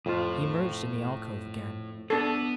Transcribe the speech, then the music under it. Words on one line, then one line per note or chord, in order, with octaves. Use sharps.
He emerged in the alcove again.
F2 A2 F4
B3 D4 A4